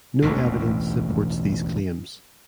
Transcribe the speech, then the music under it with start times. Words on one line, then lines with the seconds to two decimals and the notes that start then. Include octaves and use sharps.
No evidence supports these claims.
0.22 E1 A1 D2 B2